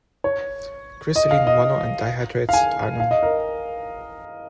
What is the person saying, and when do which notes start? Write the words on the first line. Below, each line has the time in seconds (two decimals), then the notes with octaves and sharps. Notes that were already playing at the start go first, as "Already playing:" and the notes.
Crystalline mono- and di-hydrates are known.
0.24 C#5
1.16 D#5
1.31 F5
1.47 D#5
2.49 F5
2.53 G#5
3.00 F5
3.11 D#5
3.23 A#4